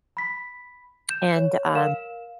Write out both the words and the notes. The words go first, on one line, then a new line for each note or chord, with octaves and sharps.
and, um
B5 B6
G6 E7
C#5
A#4 F5 E7